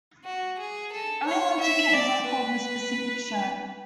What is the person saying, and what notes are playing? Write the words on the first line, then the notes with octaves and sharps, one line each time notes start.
Only one ticket is left for the specific show.
F#4
G#4
A4
C#5
E5
D5
B4